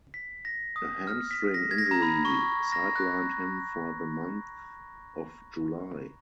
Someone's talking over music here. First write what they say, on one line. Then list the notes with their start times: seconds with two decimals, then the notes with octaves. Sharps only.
A hamstring injury sidelined him for the month of July.
0.14 B6
0.45 A#6
0.76 D#6
1.07 F6
1.31 B6
1.54 A#6
1.71 G#6
1.78 A#6
1.91 A#5
2.02 B5
2.25 C#6
2.72 A#6
2.96 F#6